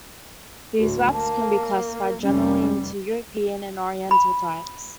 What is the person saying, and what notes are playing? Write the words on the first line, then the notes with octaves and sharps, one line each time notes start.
Beeswax can be classified generally into European and Oriental types.
D2 A2 F#4
A#3 A5
A#4
F1 G3 C#4
B5